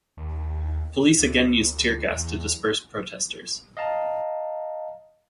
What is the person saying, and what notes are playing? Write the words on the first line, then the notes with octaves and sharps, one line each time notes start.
Police again used tear gas to disperse protesters.
D#2
D2
E2
D#5 F5 A5 A#5